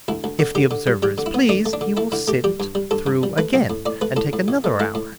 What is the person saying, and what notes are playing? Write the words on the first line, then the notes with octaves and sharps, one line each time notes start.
If the observer is pleased, he will sit it through again and take another hour.
D2 E4
D2
D3
D3 G4
D3
G3
G3 G4
D3
E4
B3
A3 D4
A3
D4
D3
A3 E4
D3 E4
A3 G4
G3 G4
G2
G3
G2 A4
G2
G3
A3 B4
B1
A2
A2 D5
A3 B4
A2 A4
A2
A1
A3
A3 E4
A2